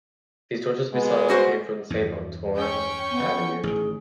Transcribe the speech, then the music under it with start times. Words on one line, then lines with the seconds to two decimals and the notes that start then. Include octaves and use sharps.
These torches, we saw, came from the Saint-Antoine avenue.
0.93 G#3 B3
1.29 G3 F#4 C5
1.90 E2 G2
2.55 C#4 G5 C#6
3.11 B3
3.63 A1 D#3 G#4